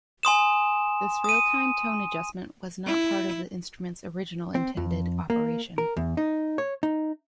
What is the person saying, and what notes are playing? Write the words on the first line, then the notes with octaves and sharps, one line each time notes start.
This real-time tone adjustment was not part of the instrument's original intended operation.
G#5 C6 D#6 E7
D#6 D#7
E4
C4
F2
A#3
A#4
E2
D#4
C#5
D#4